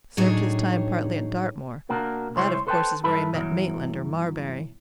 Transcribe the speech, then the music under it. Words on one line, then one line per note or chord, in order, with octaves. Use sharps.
Served his time partly at Dartmoor. That, of course, is where he met Maitland or Marbury.
A2 F#3 D4 D#4 G#4 C#5
B2 A#3 D4 F#4 A#4
C2 G#3 E4 C5 C#5
A4 B4 C5 E5 G5 A5
B1 G2 E4 A4 B4 B5
G2 B2 E3 F#3